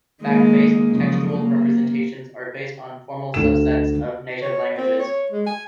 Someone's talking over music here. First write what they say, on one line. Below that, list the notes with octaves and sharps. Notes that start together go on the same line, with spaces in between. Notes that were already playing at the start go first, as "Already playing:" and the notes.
Fact-based textual representations are based on formal subsets of native languages.
D#3 G#3 A#3
F#2 C#3 F3
A#3
D2 E7
C#5
C4
C#5
G#3
G#5